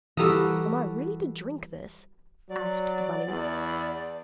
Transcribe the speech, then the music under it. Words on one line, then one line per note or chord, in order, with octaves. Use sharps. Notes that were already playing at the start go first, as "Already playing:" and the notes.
"Am I really to drink this?" asked the bunny.
E3 G3 F#4 A4 A#4 D#6 E6 E7
F#3 D5
E2